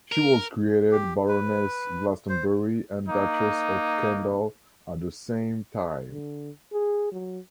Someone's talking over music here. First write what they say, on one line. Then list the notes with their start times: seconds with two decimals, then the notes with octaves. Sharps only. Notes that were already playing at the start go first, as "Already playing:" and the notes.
She was created Baroness Glastonbury and Duchess of Kendal at the same time.
0.12 A#4
0.92 G4
1.28 B4
2.29 C5
3.09 A#3 D#4
6.11 D3
6.73 G#4
7.12 F#3